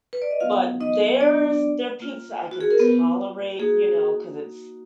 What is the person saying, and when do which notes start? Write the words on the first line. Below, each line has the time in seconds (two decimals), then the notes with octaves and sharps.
but there's their pizza I can tolerate, you know, 'cause it's,
0.13 B4
0.22 D5
0.31 D#5
0.40 F#3 B3 D#4 F4 F#4 F5
0.81 D#4 D#5
1.20 D4 D5
2.00 A#3 F4
2.51 F#4
2.61 G#4
2.71 A#4
2.80 B3 B4
3.59 A#3 D#4 F#4 G#4